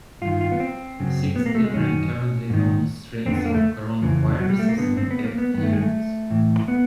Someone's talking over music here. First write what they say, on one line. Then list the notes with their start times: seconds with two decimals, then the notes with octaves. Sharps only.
Six different currently known strains of coronaviruses infect humans.
0.21 G2 D#3 F4
0.41 F4
0.52 B3
0.60 C4
1.00 F#2 C#3
1.36 B3
1.46 A#3
1.55 A3
1.64 G#3
1.74 F#2 D#3 C#4
2.50 G#2 D#3
3.26 F2 D3 C4
3.35 B3
3.45 A#3
3.55 A3
4.02 F2 C#3 E3
4.40 F#3
4.50 G3
4.59 A3
4.69 A#3
4.78 G2 D3 B3
4.97 C4
5.11 B3
5.25 A#3
5.38 B3
5.54 G2 D#3 B3
5.63 A3
5.73 G#3
5.83 A3
6.30 A2 E3
6.68 B3